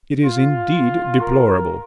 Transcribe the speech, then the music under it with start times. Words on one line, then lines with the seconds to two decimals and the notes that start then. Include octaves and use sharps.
It is indeed deplorable.
0.23 F4
1.21 A#4